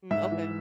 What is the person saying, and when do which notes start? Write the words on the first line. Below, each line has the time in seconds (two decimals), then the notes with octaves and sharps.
Mm, okay.
0.11 G#2 E5
0.31 E3